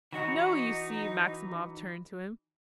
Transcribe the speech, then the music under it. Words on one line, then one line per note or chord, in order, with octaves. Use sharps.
"No, you see," Maximov turned to him.
E3 D#4 F#4 C#5